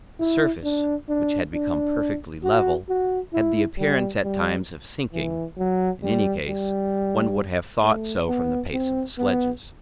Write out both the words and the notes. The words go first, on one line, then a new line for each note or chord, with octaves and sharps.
The surface, which had become perfectly level, had the appearance at times of sinking; in any case, one would have thought so from the pace of the sledges.
E4
D4
D4
D4
F#4
F#4
E4
G3
G3
E3
F#3
G3
G3
A3
B3
C4
B3